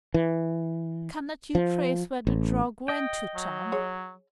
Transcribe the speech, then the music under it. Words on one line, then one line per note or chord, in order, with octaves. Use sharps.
"Cannot you trace where the drug went to, Tom?"
E3
F3
A1
D#5 G5
F#3
G#4 C#5